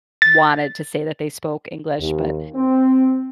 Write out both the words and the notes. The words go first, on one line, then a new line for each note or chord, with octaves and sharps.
wanted to say that they spoke English, but
A6
D#2
C4